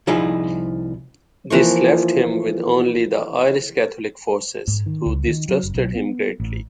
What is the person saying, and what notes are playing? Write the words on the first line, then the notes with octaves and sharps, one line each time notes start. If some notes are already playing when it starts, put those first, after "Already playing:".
This left him with only the Irish Catholic forces, who distrusted him greatly.
C2 F3 D#4 E4 G#4
E3 F3 A#3 C#6
G#2
D#3
C#2
D#3
F#3
F#1
B1
B3
A1